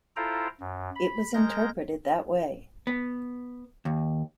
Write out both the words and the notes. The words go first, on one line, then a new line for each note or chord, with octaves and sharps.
It was interpreted that way.
E4 F4 A4 C5 G5 A#5
F#2
B5
G#3 A#4 G6 A#6
B3
D#2